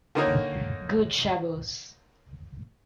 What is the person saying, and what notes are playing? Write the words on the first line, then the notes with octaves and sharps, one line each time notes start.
Good Shabbos.
D3 D#3 A#3 C#4 D#4 C#5